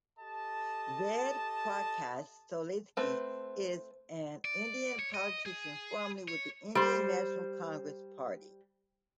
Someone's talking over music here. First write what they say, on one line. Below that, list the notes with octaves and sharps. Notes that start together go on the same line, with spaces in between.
Ved Prakash Solanki is an Indian politician formerly with the Indian National Congress party.
G4 A4 D#5 A5
A3 C4 B4
D5
C#5
D#5
G#4
C#5
G3 C5